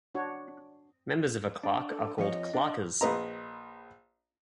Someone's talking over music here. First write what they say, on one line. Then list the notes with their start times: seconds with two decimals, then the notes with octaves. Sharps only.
Members of a claque are called claqueurs.
0.15 D4 F#4 C#5
1.63 D4 A5
1.88 A4
2.18 F2 F3 C#5 D#5
2.54 D4
3.01 A#1 B4 D#5 A#5